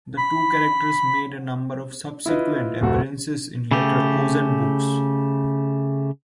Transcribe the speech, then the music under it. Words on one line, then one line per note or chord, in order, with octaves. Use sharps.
The two characters made a number of subsequent appearances in later Oz books.
B5
E4 F4 B4 D#5
D1 F2 C3 A3 F#4
C#3 A3 G4